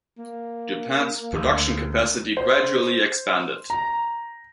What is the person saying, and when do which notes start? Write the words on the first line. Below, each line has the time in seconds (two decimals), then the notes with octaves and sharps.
Japan's production capacity gradually expanded.
0.18 A#3
1.33 D2
2.37 C5
3.70 A#5